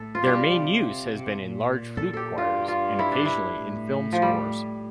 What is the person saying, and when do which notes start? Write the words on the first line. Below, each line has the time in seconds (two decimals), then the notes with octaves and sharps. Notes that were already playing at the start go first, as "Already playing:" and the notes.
Their main use has been in large flute choirs and occasionally in film scores.
Already playing: A2 A4
0.15 F4
0.23 G2 G3 G4
0.54 C3
1.15 C3
1.46 A#2
1.97 A4
2.13 G4 A4
2.38 G2 F4
2.68 F4
2.99 E4
3.12 D4
3.25 E4
3.61 A2
4.13 F3
4.22 G3